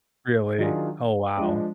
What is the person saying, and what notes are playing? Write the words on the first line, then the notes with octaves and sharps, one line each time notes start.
Really? Oh, wow.
D#3 F#3 D4 F4 G#4
F3 G#3 D4